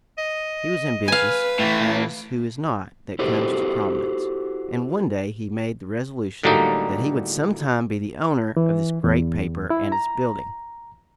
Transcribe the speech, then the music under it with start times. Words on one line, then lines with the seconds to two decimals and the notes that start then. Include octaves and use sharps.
He was ambitious, as who is not, that comes to prominence; and one day he made the resolution that he would sometime be the owner of this great paper and its building!
0.18 D#5
1.08 B4 F5 G#5
1.59 A2 E3 A3
3.19 E4 F#4 G4 A4 C5
6.43 A2 D3 F#3 G3 A#3 D#4
8.57 E3
9.04 E2
9.70 E4
9.92 A#5